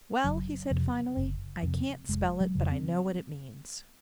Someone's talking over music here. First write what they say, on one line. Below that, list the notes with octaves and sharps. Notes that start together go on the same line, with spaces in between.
'Well,' he said finally, 'I can't spell it but I know what it means.'
F#1 F#3
F2 C3
F#1
F2 C3
F1 G#3
F#3
F2 C#3
C4